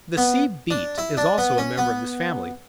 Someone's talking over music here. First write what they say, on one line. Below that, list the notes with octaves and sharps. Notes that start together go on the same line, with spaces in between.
The Sea Beet is also a member of this family.
B3
D4
E4
D4
B3
C#4
B3